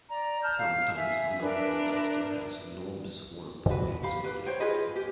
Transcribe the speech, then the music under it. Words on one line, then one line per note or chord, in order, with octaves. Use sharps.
Sometimes a knuckle-duster has knobs or points projecting.
D5 A#5
A5 F6 G6
F5
E5 G#5
D4 A#4 B4 E5
F#4 B4
G4 F5 B5
G4 B4
C5 C#5 G5
F4 G#4 B4 D#5
G4